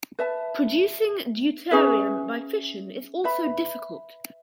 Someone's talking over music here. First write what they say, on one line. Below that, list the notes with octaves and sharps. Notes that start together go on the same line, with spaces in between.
Producing deuterium by fission is also difficult.
B4 E5 A5
C#4 G#4 B4 E5
B4 E5 B5